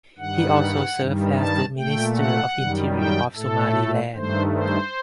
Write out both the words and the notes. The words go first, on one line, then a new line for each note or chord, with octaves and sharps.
He also served as the Minister of Interior of Somaliland.
G2 D#3 G3 F#5
G2 D#3 G3
A5
A#2 A3 G5
F#5
F#2 D#3 G3
G5
A2 A3 A4
G2 D#3 A3 C5
C5